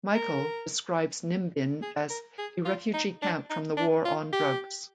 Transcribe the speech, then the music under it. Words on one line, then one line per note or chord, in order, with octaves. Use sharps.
Michael describes Nimbin as "a refugee camp from the war on drugs".
A#4
G#4
A#4
G#4
F4
D#4
D4
D#4
D4
F4
G4